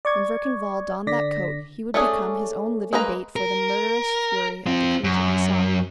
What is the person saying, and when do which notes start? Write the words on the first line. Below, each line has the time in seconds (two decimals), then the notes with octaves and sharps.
When Verkan Vall donned that coat, he would become his own living bait for the murderous fury of the creature he sought.
0.05 D5 C#6 G#6
1.07 D3 D5 A#6 B6
1.94 A3 C#4 D4 G#4
2.93 G#3 A#3 B4 A#5
3.36 A#4
4.66 C4 F4
5.04 F#2